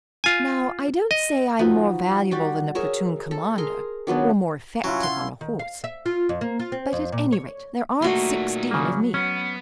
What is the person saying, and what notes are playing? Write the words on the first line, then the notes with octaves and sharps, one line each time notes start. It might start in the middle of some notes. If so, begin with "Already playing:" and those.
Now I don't say I'm more valuable than a platoon-commander or more effective on a horse, but, at any rate, there aren't sixteen of me.
F4 G#5
D#5
F3 D#4 F#4 B4
G3 F#4 G4
G#4 A#4 C#5 E5
A4
G#4 A#4 C6
D#3 F#3 B3 D4
F#3 C#4 E4 F4
F#5 C6
D#3
F5
E5
F4
F2
A#3
F4
C4
F2
A#2
C#5
A#2 A3 A#3 D#4 F#4 C6
C#3 F#3 A#3
B3 C#4